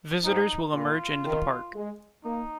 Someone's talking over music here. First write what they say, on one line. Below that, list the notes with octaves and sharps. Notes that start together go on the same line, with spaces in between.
Visitors will emerge into the Park.
G#2 D#4
A#2 F4
D#3
G#3
A#3 D#4